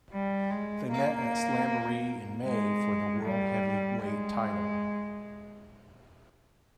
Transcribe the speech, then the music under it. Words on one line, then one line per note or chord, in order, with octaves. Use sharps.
They met at Slamboree in May for the World Heavyweight Title.
G3
G#3
A#3
G#3
G3
G#3